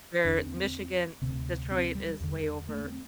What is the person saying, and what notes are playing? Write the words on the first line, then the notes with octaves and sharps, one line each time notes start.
where Michigan Detroit is way over
E2 D3 D4
C4
C4
D2 C3 C4
C4
G3
E2 D3
A3
C4